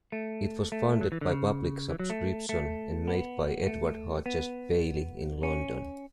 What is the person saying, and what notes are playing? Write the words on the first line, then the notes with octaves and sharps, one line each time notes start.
It was funded by public subscription and made by Edward Hodges Baily in London.
A3
A3
F#3
E3
D3
C#3
E3
F#3
A3
A3
B3
A3
B3
C#4